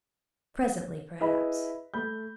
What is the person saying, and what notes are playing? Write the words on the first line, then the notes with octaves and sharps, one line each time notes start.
Presently, perhaps.'
E4 G#4 B4 D#5 E5 B5
A3 B5 G6